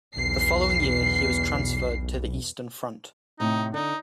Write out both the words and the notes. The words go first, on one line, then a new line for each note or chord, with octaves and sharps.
The following year, he was transferred to the Eastern Front.
B1 E2 B2 C7
A2 C3 D#4
D3 D#4